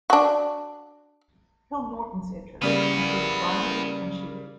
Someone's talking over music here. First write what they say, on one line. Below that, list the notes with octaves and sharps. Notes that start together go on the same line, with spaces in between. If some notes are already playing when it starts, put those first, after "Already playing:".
Hill-Norton's interests included gardening and shooting.
D4 F#4
C#3 G3 A#3 B3 E4